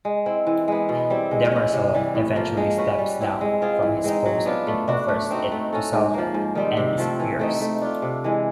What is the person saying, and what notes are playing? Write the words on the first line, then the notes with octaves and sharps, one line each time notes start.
Demerzel eventually steps down from his post and offers it to Seldon, and disappears.
G#3
C4 E4
E3
G#3 B3
B2
G3 C4 E4
G#3
C#4 E4
C3
E3 G3
A2
F3 A#3
G#3
C#4 F#4 B4
G3
C4 E4
G#3
C4 F4 G#4
E3
G#3 C4 D#4
F#3
B3 D4 F4
A3
D4 F#4
A3
C4 D#4 F#4
A3
C#4 F#4 A4
G#2
F3 A#3
G#2
D#3 G3 C4
C3
F3 A3 C4
E3
A3 C4 D#4
A3
D4 F4
C3
E3 G#3